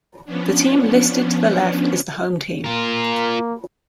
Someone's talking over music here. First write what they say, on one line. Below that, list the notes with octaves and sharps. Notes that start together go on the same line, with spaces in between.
The team listed to the left, is the home team.
F3 B3 C#4 D4
A#3 F4 A#4